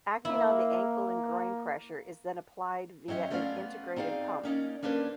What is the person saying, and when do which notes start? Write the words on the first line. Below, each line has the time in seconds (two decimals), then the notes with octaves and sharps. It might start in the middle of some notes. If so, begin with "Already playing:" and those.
Acting on the ankle and groin pressure is then applied via an integrated pump.
0.25 A#3 E4
3.08 F#3 C4 C#4 D#5 E5
3.30 A3 B3 C#4 F4 D5 F5
3.96 C4 D#4 G#4 D5 F5
4.43 A#3 C#4 D#4 D5
4.82 A#3 C#4 D4 B4 C5